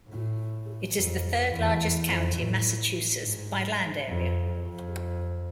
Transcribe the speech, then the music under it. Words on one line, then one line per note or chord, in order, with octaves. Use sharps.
It is the third-largest county in Massachusetts by land area.
A2
F2
E2
F2
A2
G#2
F2
F2